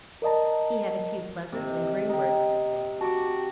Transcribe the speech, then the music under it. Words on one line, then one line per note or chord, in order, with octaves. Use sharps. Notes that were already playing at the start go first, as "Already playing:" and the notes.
He had a few pleasant, lingering words to say.
A#4 D5 D#5 A5 A#5
C3 D#3
D#4 G5
F#4 A5 D6